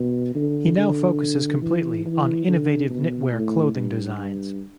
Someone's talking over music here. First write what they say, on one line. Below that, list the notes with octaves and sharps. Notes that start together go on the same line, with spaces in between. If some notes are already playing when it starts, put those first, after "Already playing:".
He now focuses completely on innovative knitwear clothing designs.
Already playing: B2
D3
D3
E3
E3
D3
B2
A2
G2
G2